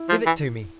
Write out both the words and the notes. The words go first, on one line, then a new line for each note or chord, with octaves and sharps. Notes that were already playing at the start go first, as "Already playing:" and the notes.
Give it to me!
Already playing: E4
F3
E3 E4